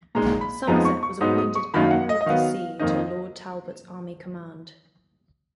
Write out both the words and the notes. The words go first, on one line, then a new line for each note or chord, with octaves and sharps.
Somerset was appointed Admiral of the Sea to Lord Talbot's army command.
A#2 G#3 D#4 A#5
B5
F2 F3 G#3 B3 D#4 A#5
C#6
C#6
G#2 F#3 B3 D#4 D#6
D#6
C#6
F#2 D#3 F#3 A#3 D#4 B5
F#5
D#5
D#5
D#3 F#3 B3 F5
F2 D#3 A#3 D#4 D#5